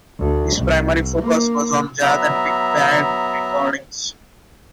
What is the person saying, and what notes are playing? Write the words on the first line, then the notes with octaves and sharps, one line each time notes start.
His primary focus was on jazz and big band recordings.
D2
C2
A#3
F#3 B3 E5 A#5